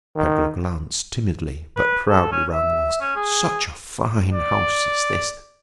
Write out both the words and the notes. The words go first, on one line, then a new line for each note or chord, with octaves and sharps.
Pegler glanced timidly but proudly round the walls—‘such a fine house as this.
D#3
B4
A4
C#4
E5
C#4
G#4
D5